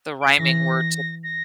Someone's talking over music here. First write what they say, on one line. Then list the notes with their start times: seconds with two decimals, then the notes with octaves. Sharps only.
the rhyming word, too?
0.21 D7
0.30 C7
0.39 E3 A#6
1.23 A#6